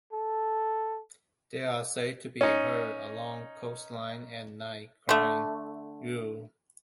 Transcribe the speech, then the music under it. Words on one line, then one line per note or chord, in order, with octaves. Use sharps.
They are said to be heard along coastlines at night crying, Iou!
A4
C#4 D#4
D3 A3